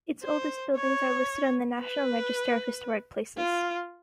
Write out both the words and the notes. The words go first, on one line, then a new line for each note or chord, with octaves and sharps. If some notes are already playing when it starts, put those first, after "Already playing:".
Its oldest buildings are listed on the National Register of Historic Places.
C5
C#5
B4
F4